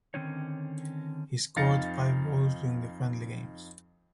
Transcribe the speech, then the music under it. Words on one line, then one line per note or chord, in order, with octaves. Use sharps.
He scored five goals during the friendly games.
D3 D#3 C4 C#4 D#4 C#5
F2 D#4 F5 A6 A#6 C#7